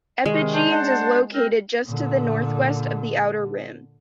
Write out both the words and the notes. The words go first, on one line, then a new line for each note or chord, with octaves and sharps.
Epigenes is located just to the northwest of the outer rim.
C3 D#3 G#3
D4 C5
F#5 A5
C4 A#4
A#2 D3